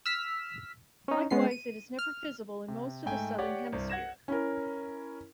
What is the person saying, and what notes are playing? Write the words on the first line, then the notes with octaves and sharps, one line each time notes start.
Likewise, it is never visible in most of the southern hemisphere.
E6 F6 B6
C#4 D#4
G#3 B3 C#4 C7
D#7
F6
C3
G#2 A3 G5 G#5
G4 C#5 D5 F#5
C2 G2 C5
F#5 G#6 A#6 E7
C#4 E4 A#4